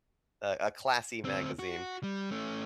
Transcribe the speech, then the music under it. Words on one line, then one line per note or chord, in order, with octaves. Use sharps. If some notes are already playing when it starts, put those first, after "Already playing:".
a a classy magazine.
D2 C4
F#4
G3
A3 C#4